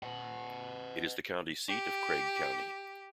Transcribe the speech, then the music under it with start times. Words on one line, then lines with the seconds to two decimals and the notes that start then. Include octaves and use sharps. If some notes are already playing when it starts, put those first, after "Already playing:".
It is the county seat of Craig County.
0.03 D#5 F#5
1.69 G4